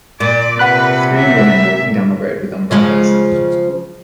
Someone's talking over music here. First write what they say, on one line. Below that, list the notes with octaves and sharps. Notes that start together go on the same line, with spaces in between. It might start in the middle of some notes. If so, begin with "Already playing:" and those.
Three women walking down the road with umbrellas.
A#2 D5
C3 B4 F#5 B5 F#6
E5
C#3 F3 G#3